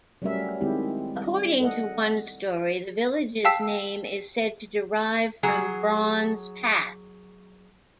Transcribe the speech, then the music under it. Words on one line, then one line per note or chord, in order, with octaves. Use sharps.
According to one story, the village's name is said to derive from "Brawn's Path".
F#3 G3 A3 C#4 A#4 E5
D#3 G#3 C4 E4 G4
G3
A4 D#5 F#5
F5 G5 A5 E6 B6
F#3 G#4